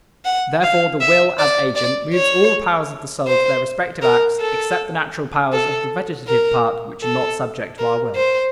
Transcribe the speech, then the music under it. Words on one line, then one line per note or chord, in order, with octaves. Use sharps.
Therefore the will as agent moves all the powers of the soul to their respective acts, except the natural powers of the vegetative part, which are not subject to our will.
F#5
F5
E5
D5
D5
C#5
C5
A#4
A4
A4
A#4
A4
A#4
C5